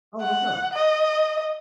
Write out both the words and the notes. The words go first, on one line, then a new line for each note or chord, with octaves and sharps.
Oh, no problem.
F#5
D#5